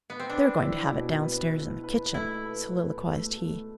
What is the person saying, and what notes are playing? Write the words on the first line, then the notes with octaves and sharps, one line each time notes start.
"They're going to have it downstairs in the kitchen," soliloquized he.
B3
C4
D4 B4
E4
B2
B4
E4
B4
A3 E4
B4
B4
A3
A3